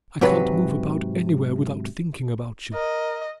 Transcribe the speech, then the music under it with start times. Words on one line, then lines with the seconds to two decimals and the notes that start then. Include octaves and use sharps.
I can't move about anywhere without thinking about you.
0.21 G#2 C3 F#3 B4
2.74 A#4 D#5